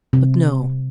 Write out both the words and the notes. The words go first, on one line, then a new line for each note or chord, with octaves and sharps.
But no.
C3